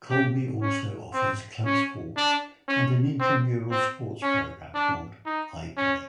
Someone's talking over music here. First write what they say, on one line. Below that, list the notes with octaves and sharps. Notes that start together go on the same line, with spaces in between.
Colby also offers club sports and an intramural sports program called I-Play.
G4
C#4
C4
C#4
D4
C#4
C4
C4
C#4
D4
D#4
C#4